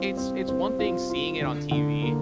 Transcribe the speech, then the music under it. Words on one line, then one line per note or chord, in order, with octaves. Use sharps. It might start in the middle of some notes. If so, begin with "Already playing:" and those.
it's it's one thing seeing it on TV
Already playing: G3 C4 F4
C4
C4
F4
F4
D3
D3
A#3